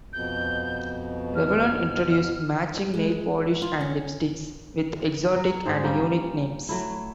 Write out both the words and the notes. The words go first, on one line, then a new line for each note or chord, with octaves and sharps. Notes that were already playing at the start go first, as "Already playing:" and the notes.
Revlon introduced matching nail polish and lipsticks with exotic and unique names.
F2 B2 G6
F6
G#3
F4
C#4
F#3
G#2 G#4 C5 D#5
G3 A#3 C#4 G5
F#3 A3 E4